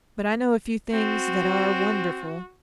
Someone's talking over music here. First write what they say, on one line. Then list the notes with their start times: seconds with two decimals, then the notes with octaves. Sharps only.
But I know a few things that are wonderful.
0.94 C4 F#4